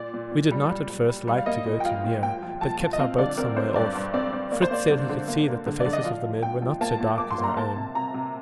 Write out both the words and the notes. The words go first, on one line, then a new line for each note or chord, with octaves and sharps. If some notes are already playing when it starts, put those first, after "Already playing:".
We did not at first like to go too near, but kept our boat some way off. Fritz said he could see that the faces of the men were not so dark as our own.
Already playing: A#2 D5
A#2
A#2
G3
G3
G3
G3
G3
F5
A#3 D#5
A#2
G5
F3 F5
A#2
A#2 G5
F3
F3 A5
A#2
D#5
C4 F5
D3 D5
C4 A#4
C4 C5
G2 D5
G2
C4 D5
C4
A#3 D5
C5
A#3 D5
D3
D3
A#3
A#3
D3
D5
D3
D#5
F3 F5
F3
A#2 G5
F3
A#3 A5
A#2
A#3 D6
C6
A#3
A#5
A#3 A5
C3
C3 A#5
C3